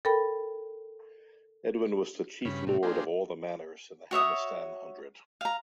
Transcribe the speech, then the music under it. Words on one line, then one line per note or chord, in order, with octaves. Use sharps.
Edwin was the chief lord of all the manors in the Hamestan Hundred.
A4 A#4 G5 B5
G2 C#3 C#4 B5
A2 C3
A#3 D4 F4 G4 G#4 C5
F#4 C#5 E5 D#6
F5 A#5